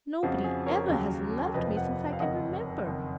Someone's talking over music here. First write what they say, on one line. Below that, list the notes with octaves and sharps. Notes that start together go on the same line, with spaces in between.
Nobody ever has loved me since I can remember.
F2 C#3 F3 F#4
G#4
A#4 C#5
D#2 C#3 F#3
F1 F2 F3 B4 D#5
D#5 F#5
F5
F#1 F2 D#3 D#5 F#5
F#1 F2 D#3